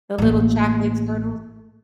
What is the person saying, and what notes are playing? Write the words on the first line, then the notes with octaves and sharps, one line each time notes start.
The little chocolate turtles?
A1 A#3